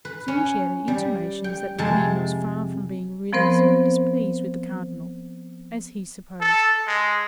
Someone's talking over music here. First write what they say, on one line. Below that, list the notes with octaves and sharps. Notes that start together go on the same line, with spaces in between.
Soon she added intimations that the Queen was far from being really so displeased with the cardinal, as he supposed.
B4
C#4
G3
G5
F2 C3 G#3 A5
F3 B3 C4 A#4 C5
A4
G#3